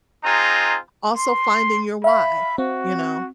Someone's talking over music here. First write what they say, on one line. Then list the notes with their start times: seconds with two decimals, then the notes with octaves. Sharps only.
Also finding your "why," you know?
0.24 C4 D#4 F4 G#4 A#5
1.16 C6
2.04 E5 F5 B5
2.58 C4 F#4